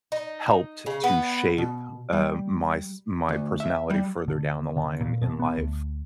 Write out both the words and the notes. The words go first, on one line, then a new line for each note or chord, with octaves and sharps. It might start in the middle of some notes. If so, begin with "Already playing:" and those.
helped to shape, uh, my s my personality further down the line in life.
D#4
C#3
B3
B2
G3
D2
E5
G3
D3
D3
A#2
B2
B3
D2